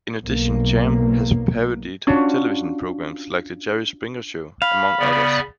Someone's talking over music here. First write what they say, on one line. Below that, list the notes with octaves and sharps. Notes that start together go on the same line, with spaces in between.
In addition, Cham has parodied television programs like "The Jerry Springer Show," among others.
B1 A#3
C#4 D4 F4 F#4
F5 B5
C#3 B3 D5